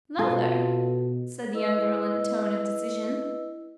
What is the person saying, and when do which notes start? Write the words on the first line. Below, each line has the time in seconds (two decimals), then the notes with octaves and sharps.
"Mother!" said the young girl in a tone of decision.
0.19 B2 F4 A4
1.54 E4 B4 D#5 E6